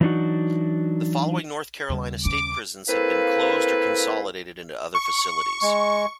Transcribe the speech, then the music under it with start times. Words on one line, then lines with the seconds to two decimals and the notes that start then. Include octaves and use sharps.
The following North Carolina state prisons have been closed or consolidated into other facilities.
0.01 E3 F#3 D4 D#4 F#4
1.90 D#2 C#3 G3
2.25 C#4 D6
2.88 A#3 C4 E4 A4 B4 F5
4.94 C#6
5.62 G#3